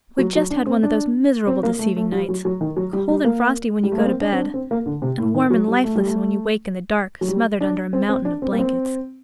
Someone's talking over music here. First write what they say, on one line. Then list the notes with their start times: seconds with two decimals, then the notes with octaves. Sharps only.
We've just had one of those miserable deceiving nights--cold and frosty when you go to bed, and warm and lifeless when you wake in the dark, smothered under a mountain of blankets.
0.18 F#3
0.35 F#3
0.51 D4
0.67 C4
0.83 D4
1.47 C4
1.63 A#3
1.79 A3
1.97 A3
2.12 G3
2.29 F#3
2.45 F#3
2.61 D#3
2.77 F#3
2.93 G3
3.09 G3
3.25 A#3
3.83 G3
3.92 A3
3.98 A#3
4.05 C4
4.21 D4
4.33 C4
4.38 D4
4.54 C4
4.71 A#3
4.86 D3
5.02 C3
5.19 A2
5.34 D#3
5.50 F#3
5.68 G3
5.84 A3
5.95 G3
6.06 A3
7.21 F#3
7.28 G3
7.61 D4
7.93 C4
8.09 C4
8.25 D4
8.42 C4
8.52 A#3
8.58 C4